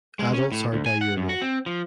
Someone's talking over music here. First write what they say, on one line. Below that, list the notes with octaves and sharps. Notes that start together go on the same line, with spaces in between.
Adults are diurnal.
G#3
C#4
A2
D2
G#5
F#5
F#2
F#4
C4
F3